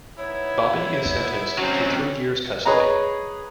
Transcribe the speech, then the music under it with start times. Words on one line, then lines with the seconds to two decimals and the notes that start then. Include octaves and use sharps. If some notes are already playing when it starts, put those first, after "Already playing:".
Bobby is sentenced to three years custody.
0.18 B3 D#4 E4 C#5
1.58 F#3 C4 C#4
2.65 G#4 B4 C#5 D#5 A#5